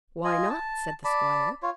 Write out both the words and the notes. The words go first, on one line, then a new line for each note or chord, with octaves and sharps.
"Why not?" said the squire.
F4 D#5 G#5
A5
D5 A5 B5
F4 C#5